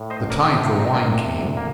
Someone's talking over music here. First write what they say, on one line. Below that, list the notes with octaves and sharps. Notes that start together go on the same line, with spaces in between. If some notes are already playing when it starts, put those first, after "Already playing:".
The time for wine came.
Already playing: A2
C5 D#5
A1
A#4 D5
C3 A4 C5
G4
D4 F4
C2 C4 D#4
A#3 D4
C3
D2
A#3